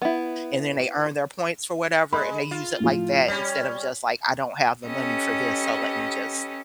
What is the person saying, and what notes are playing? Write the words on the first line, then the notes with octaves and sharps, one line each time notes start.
and then they earn their points for whatever and they use it like that instead of just, like, "I don't have the money for this, so let me just,
B3 E4
G#3 B5
F4
A2 F3
G3 C#4 B6
C#4 G4 A4 B4 D#5